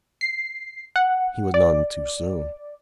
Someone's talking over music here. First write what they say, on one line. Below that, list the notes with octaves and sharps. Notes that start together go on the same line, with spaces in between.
He was none too soon.
C7
F#5
D5